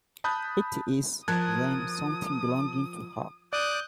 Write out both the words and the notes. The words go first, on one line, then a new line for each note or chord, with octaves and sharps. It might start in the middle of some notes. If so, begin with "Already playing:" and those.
It is, then, something belonging to her.
A5 B5 D#6 F#6 G6
F3 F4 A#4 A5 D#6 F#6 G#6
D5 D6 D#6 F#6 G6